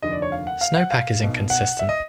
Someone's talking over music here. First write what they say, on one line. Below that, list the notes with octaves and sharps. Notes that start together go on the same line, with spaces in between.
Snowpack is inconsistent.
F1 D#2 D3 F3 D#5
D5
C#5
F5
F#5
F5
F#5
F5
B1 B2
F#5
E5
D#5